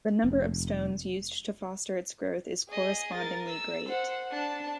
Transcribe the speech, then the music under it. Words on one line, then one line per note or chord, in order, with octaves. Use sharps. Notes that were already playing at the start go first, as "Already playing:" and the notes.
The number of stones used to foster its growth is correspondingly great.
F1
G#4 D#5
A#4 A6
E6
C5 F#5
D4 A5